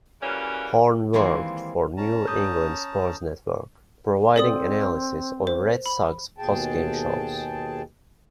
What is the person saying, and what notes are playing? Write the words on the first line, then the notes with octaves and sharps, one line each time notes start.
Horn worked for New England Sports Network, providing analysis on Red Sox post-game shows.
C#3 E3 F#3 G3 A#3 C#4
D#3 E3 G3 G#3 A#3 C4
C#4 A5 A#5
D#6 G6
C4 A4 D5 D#6
C5
B5
D#2 B2 G#4 G5 A5